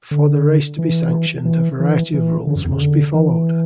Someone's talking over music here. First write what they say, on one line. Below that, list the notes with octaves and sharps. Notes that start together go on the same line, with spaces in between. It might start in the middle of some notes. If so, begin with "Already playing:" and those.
For the race to be sanctioned, a variety of rules must be followed.
D3
E3
E3
E3
E3
D3
F#2
E2
C#3
D3
E3